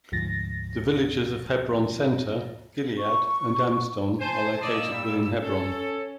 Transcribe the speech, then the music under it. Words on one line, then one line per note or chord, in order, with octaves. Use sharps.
The villages of Hebron Center, Gilead and Amston are located within Hebron.
D2 G#2 F3 A6 A#6
C#6
C5 G#5 A5
A#2 D5 D#5 E6
G3
C#4 A4